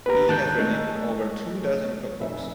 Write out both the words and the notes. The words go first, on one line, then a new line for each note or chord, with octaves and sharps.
He has written over two dozen cookbooks.
A#3 B3 G4 B4 A#5
D#2 G#2 A5 F#6 G6
G#3 A3 D#4
F1 E5